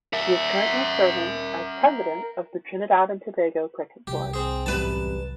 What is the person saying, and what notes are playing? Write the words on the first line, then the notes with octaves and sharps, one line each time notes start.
He is currently serving as President of the Trinidad and Tobago Cricket Board.
A#4 E5
C2 G4
C4 G#4
A1 F#2 C3 G3 B4 A5